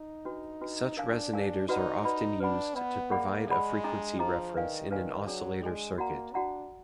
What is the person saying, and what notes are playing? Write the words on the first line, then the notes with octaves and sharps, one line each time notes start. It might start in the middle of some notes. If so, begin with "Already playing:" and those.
Such resonators are often used to provide a frequency reference in an oscillator circuit.
Already playing: D#4
D4 F#4 B4
D4 F#4 B4
D4 A#4 D5 F5 G#5
A#4 D5 F5 G#5
D#4 F#4 B4 D5 F#5 B5
F#4 B4 D5 F#5 B5
D4 B4 D5 F#5 B5
B3 B4 D5 F#5 B5
A#3 G#4 D5 F#5 B5
G#3 G#4 D5 F#5 B5
D4 G#4 D#5 A#5
F3 D4 G#4 D#5 A#5
D#3 B4 D5 F5 G#5
D#3 B4 D5 F5 G#5
F#3 D4 G#4 D5 G#5
G#3 D4 G#4 D5 G#5
A#3 F#4 D5 F#5 A#5
D4 F#4 D5 F#5 A#5